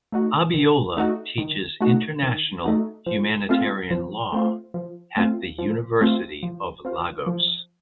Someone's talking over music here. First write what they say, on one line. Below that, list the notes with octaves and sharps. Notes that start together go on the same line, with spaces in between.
Abiola teaches International Humanitarian Law at the University of Lagos.
A3 D#4 F#4
D#3
A3 D#4 F#4
D#3
A3 D#4 F#4
D#3
A3 D#4 F#4
F3
A3 C4 F4
F3
A3 C4 F4
F3
A3 C4 F4
F3
A3 C4 F4
F3
C4 F4
F3